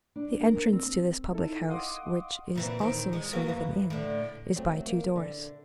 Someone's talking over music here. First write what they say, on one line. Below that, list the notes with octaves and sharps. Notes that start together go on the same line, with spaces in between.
The entrance to this public house, which is also a sort of an inn, is by two doors.
D4
A#4
C4
D#4 E4 A4
D#5 F5 F#5 C6 D6 D#6
A#2 E3 C4
E2 D#3 C4
G#3
F#3 A#3 B3
F#2 E3
A2 D3
F#3 A3 C4
A#3
D3